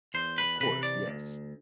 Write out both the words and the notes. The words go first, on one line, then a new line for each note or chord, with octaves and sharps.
Of course, yes.
E2 C5
B4
C3 E3 B4
D5
D2